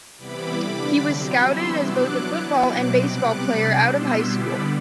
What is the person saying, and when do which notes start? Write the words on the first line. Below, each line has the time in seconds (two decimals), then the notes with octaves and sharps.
He was scouted as both a football and baseball player out of high school.
0.17 C3 E3 G3 B3 E4 B5 D6
0.59 D3 G3 D4
1.00 C3 F#3 C4
1.41 E3 G3 B3 E4 C6 E6
1.83 F#3 B3 D4 D6 F#6
2.24 F#3 B3 E4
2.65 B2 F#3 C4 D6 F#6
3.06 C3 G3 B3 D6 F#6
3.48 C3 G3 D4
3.89 B2 G3 B3 E4 C6 E6
4.30 D3 G3 B3 B5 D6